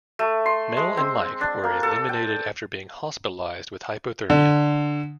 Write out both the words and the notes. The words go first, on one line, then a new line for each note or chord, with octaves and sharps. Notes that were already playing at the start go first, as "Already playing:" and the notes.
Mel and Mike were eliminated after being hospitalized with hypothermia.
A3
C6
G#3
C4
D4
A#3
A4
G5
D3